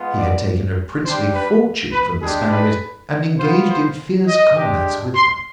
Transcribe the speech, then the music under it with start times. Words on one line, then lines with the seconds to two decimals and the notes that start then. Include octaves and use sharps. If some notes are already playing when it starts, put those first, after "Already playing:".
He had taken a princely fortune from the Spaniards and engaged in fierce combats with them.
Already playing: G#3 B3 F4
0.17 D5
1.05 G3 D4 G4 C5
1.34 B4
1.92 B4
2.22 G#3 D4 G4 G#4
2.51 B4
3.39 B3 F4 C5
3.68 C5
4.27 D#5
4.56 G#3 D4 G4
5.15 C6